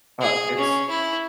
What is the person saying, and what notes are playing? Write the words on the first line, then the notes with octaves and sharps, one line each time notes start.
Uh, it's
G#4
C#4
E4